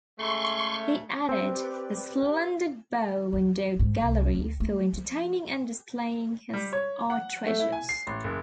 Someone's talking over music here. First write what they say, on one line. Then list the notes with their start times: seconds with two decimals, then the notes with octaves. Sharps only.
He added the splendid bow windowed gallery for entertaining and displaying his art treasures.
0.19 C#3 G#3 A3 C6 C#6
1.29 C4
1.42 G4 B4 D5
3.33 E2
3.79 G#2
4.01 C2
4.35 D2
4.60 A3
4.93 F3
6.53 G3
6.73 C#5
7.10 F#5
7.47 A3
7.60 E4
7.72 G#5
7.89 C7
8.07 A1
8.24 F#1